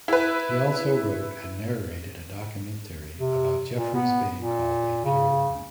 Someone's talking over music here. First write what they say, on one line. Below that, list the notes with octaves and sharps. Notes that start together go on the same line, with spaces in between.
He also wrote and narrated a documentary about Jeffreys Bay called "A Pure Line".
E4 B4
C3
A#2
B3
A#2
C#3